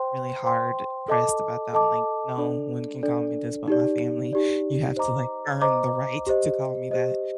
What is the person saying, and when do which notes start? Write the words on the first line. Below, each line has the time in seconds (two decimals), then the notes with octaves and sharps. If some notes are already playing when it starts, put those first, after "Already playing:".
really hard pressed about that one, like, "No one can call me this but my family." You have to, like, earn the right to call me that.
Already playing: C5 G5 C6
0.44 C5 G5 C6
1.08 A4 D#5 A5 D6
1.73 A4 D#5 A5 D6
2.38 D4 A4 D5
3.03 D4 A4 D5
3.68 D#4 G4 D5
4.33 D#4 G4 D5
4.96 C5 D#5 A#5 D6
5.61 C5 D#5 A#5 D6
6.27 G4 C5 D#5
6.91 G4 C5 D#5